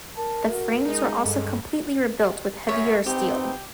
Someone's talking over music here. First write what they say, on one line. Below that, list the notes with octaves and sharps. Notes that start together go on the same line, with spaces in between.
The frames were also completely rebuilt with heavier steel.
A#4 A5
F#4
G#3 D#4
G2 A4
F#2 C#5 E5
E3 B3 C4 D#4 G4